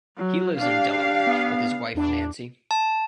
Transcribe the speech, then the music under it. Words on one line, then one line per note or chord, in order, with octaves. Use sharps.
He lives in Delaware with his wife Nancy.
F#3
D4 G4 F5
B3
E2 D4
A5